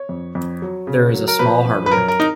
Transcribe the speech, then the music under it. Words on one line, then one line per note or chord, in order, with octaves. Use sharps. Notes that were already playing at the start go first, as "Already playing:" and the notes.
There is a small harbour.
Already playing: C#5
F2
F2
F#3
C#3
F#3
A#4
F3 B4
F3
B4
F#2 A#4
A#4
D#4